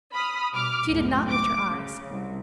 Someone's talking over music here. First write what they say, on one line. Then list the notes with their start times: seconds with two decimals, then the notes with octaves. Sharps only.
She did not lift her eyes.
0.14 B5 D#6 F6
0.53 B2 G3 D6 F6
0.87 C#2 F#2 A2
1.28 D6
1.70 C#3
2.10 C2